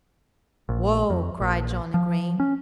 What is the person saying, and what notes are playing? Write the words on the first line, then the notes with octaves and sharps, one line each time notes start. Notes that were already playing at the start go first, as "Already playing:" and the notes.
"Whoa!" cried Johnnie Green.
A#1
F2
A#1
F3
C#4